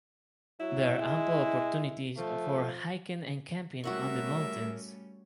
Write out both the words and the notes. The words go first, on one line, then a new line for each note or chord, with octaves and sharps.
There are ample opportunities for hiking and camping on the mountains.
F#3 E4
G#3
F3 A3
G3 A3 C#4 F#4 A#4 E5 F#5 C#6